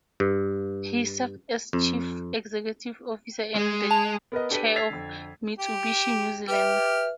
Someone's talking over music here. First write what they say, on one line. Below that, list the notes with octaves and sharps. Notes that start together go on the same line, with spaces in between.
He served as chief executive officer and then chair of Mitsubishi New Zealand.
G2
F2
G#3
A5 F7
B3 A#4 B4 D#5
D4 G4 A4 B4 B6 D#7
E6 G#6 A6 B6 C7 F7
F2 D3
G4
G4 B4 E5 F6